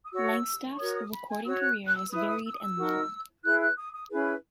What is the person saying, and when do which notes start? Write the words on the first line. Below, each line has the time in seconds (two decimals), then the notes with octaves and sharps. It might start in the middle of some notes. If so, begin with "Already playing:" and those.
Langstaff's recording career was varied and long.
0.05 D#6
0.11 F#4 C#5 E6
0.71 C#6
0.77 F#4 A#4 C#5 D#6
0.94 D#6
1.11 B5
1.28 G#5
1.44 F#4 C#5 E6
1.60 F#6
1.86 F#6
1.94 E6
2.11 E4 B4 D#6
2.26 D#6
2.44 E6
2.53 D#6
2.60 E6
2.77 D#4 F#4 A#4
3.43 E4 G#4 B4 F#6
3.60 F#6
3.76 D#6
3.93 D#6
4.10 C#4 E4 G#4 B4